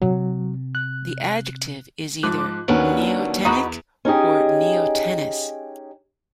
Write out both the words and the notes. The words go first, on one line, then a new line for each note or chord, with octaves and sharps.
The adjective is either "neotenic" or "neotenous".
C3 F#3
F#6
G#2 F3 D6 F#6
D#2 D#3 F#3 C#4 D4 B4
E2 D#4 F#4 B4
C#4 D#4 G4 G#4